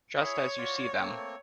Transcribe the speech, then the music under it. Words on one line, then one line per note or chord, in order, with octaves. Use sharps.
Just as you see them.
E4 G#4 C#5 B5
F4 F#4 D5
A3 A#3 C4